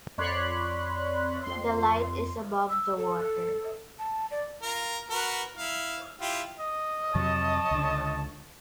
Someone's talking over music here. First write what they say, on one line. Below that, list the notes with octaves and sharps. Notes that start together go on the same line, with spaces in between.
The light is above the water.
F2 C#5 D5 B5 C6 F#6
F2 C6
E6
A4
A5
D5
F4 A#4 A#5
F#4 A#4 B4
E4 F5
E4 F4 G4
D#5
F2 C3 F#3 C#5 A5
C#2 D3